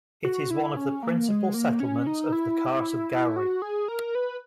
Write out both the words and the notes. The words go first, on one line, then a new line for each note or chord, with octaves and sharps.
It is one of the principal settlements of the Carse of Gowrie.
F#4
E4
C#4
A#3
G#3
A#3
C#4
D#4
E4
F#4
G#4
A#4
B4